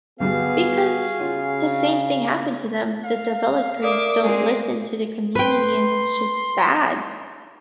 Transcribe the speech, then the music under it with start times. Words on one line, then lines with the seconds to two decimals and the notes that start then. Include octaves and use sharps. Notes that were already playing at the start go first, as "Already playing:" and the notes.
because the same thing happened to them. The developers don't listen to the community, and it's, just, bad.
0.20 D2 G2 G3 B3 F#4 G#4 F5
1.19 C#3 C#4 F4
3.04 F5
3.83 A#4 D5 E5 D6 D#6
4.23 G#3 C4 G#4
5.35 B4 G5 C6